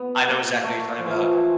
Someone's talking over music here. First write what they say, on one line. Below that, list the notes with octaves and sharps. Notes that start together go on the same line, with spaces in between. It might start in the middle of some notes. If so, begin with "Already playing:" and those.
I know exactly what you're talking 'bout.
Already playing: B3
A#3
A3
F3
E3
F3
E3